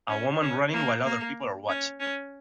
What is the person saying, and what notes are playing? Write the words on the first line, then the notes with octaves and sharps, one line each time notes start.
A woman running while other people are watching.
C#4
C#4
A#3
A#3
C#4
C#4